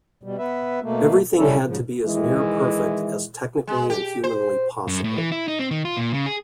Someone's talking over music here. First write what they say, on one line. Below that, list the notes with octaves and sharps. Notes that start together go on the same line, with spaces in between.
Everything had to be as near perfect as technically and humanly possible.
B2 G3
B3 B4 E5
B2 A3 A#3
C#3 G3 C#4 E4 A4
G#2 C#3 F3
D#3 E3 G#3 E4
G#3
G4
C5
F#2
A2
E3
E4
D#4
C4
D#3
F4
A#2
C#3
G#4